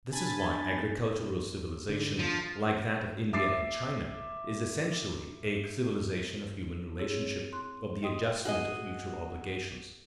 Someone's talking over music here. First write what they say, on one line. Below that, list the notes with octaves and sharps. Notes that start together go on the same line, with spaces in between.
This is why agricultural civilisation, like that of India and China, is essentially a civilisation of human relationship, of the adjustment of mutual obligations.
D4 G#5 B5 A6
D3
F3
E5 D6 A6 C7
C4 E4 G#4 C#5
C6 F#6
D#5 G5 C6 D#6
F#4 G#4 D#5